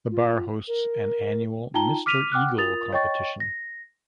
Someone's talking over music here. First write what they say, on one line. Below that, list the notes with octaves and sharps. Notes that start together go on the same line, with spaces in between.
The bar hosts an annual Mister Eagle competition.
F4
A#4
D#4 F4 G5 A5 A#5 G7
D6 F6 B6 D#7 F7
F#5 G5 D6 F6 F#6
F4 A#4 D#6 A6 F7
C#5 D#5 G5 C#6 A6
A#6